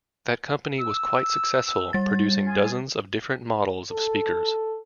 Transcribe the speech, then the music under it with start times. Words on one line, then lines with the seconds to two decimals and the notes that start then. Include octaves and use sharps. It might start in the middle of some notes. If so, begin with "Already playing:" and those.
That company was quite successful, producing dozens of different models of speakers.
0.80 E6
1.93 G3 A6
2.46 F4 G#4 G#5
3.91 A4